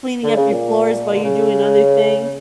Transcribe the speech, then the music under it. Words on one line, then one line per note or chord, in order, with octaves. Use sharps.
cleaning up your floors while you're doing other things.
D3
C#3
A#2
D3
C#3